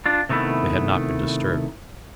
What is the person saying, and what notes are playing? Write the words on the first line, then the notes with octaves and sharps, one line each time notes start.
They had not been disturbed.
D4 F4
C3 D#3 A3 B3 E4